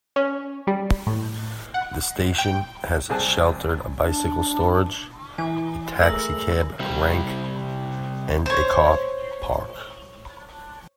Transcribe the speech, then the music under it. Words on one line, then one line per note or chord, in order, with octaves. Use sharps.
The station has sheltered bicycle storage, a taxicab rank, and a car park.
C#4
G3
A2
F#5
G5
C2 C4 G#4 G#5 A5 F#6
D4
E3 G#5
A3 G#4 A#4 E6 A#6 F#7
C3 G3
C5 C#5